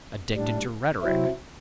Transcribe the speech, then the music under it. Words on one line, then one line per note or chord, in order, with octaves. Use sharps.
Addicted to rhetoric.
A2 G3 D4
C3 F#3 C4 E4